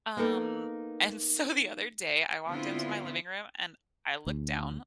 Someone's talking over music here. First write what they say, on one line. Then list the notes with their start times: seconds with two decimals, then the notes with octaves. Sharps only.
Um, and so the other day, I walked into my living room and I looked down,
0.17 A#3 B3 D#4 A4 A#4
2.48 D3 B3 C4 E4 F4
4.27 D2